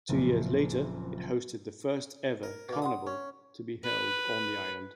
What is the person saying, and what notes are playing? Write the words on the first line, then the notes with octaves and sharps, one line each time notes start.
Two years later, it hosted the first-ever carnival to be held on the island.
F#1 F2 A#2
A#4
B2 A#3
D5 F#5 C6 D#6
C#4
B4